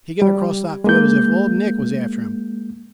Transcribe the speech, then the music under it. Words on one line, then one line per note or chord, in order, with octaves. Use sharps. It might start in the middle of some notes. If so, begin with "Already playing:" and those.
He got across that field as if Old Nick was after him.
G3
G#3 A#3 G6